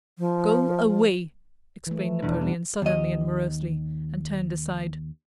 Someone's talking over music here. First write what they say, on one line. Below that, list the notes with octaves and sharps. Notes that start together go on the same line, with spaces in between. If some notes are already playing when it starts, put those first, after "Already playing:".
"Go away..." exclaimed Napoleon suddenly and morosely, and turned aside.
F3
E3 A3
B1 E2 D4
G3 B3
D#2 D#5